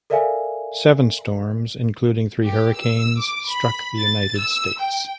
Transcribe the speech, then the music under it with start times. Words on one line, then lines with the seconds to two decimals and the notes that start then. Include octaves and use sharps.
Seven storms, including three hurricanes, struck the United States.
0.10 A4 A#4 D5 E5 F5 G#5
2.43 G4
2.76 E6
3.17 D6
3.48 B5
3.98 A6
4.37 E6
4.79 G5